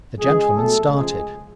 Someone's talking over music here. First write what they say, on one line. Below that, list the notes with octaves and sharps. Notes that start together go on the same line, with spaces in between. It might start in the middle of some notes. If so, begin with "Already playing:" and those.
The gentleman started.
C#3 F3 G#3 G#4
B2 F#3 A3 A4
C#3 F3 G#3 G#4